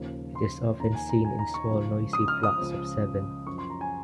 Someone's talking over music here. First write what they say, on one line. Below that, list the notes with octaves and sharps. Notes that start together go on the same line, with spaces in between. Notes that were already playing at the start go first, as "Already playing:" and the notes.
It is often seen in small noisy flocks of seven.
Already playing: D#2 C#3 F3
C6
D#2 D#3 A#5
G#5
A#5
G#5
A#5
C#6
C#2 C#3 F3
D#6
F6
D#6
C#2 C#3 F3
F#2 F3 C#6
C6
A#5
G#5